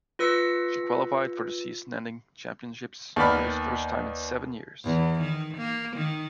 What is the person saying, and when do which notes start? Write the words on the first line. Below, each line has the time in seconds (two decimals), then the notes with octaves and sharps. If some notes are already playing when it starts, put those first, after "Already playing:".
She qualified for the season-ending championships for the first time in seven years.
0.19 F4 B4 E6 A#6 B6 C#7
3.16 D#2 B3 D5 B5 F6
4.84 E2
5.21 D#3
5.58 A#3
5.97 D#3